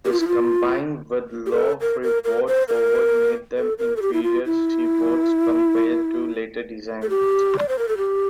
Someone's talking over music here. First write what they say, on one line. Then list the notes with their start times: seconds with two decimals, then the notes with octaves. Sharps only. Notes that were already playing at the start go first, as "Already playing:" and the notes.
This combined with low freeboard forward made them inferior seaboats compared to later designs.
0.05 G4
0.12 F4
0.20 E4
0.28 F4
1.46 G4
1.52 A4
1.81 A#4
2.03 A#4
2.24 A#4
2.48 C5
2.69 A#4
3.58 A4
3.79 A#4
3.97 A4
4.02 G4
4.13 E4
4.23 F4
4.46 E4
7.02 A4
7.10 G4
7.59 D5
7.69 C5
7.79 A#4
7.88 A4
7.97 G4